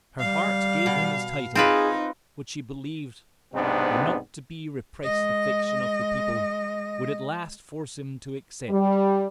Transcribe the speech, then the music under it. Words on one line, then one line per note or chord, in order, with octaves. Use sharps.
Her heart gave him his title; which she believed the not-to-be-repressed affection of the people would at last force him to accept.
G3 F5
B2
C4 D#4 F4 G#4 B4
B1 G#2 C3 B3 C4 D4
G#3 D#5
G3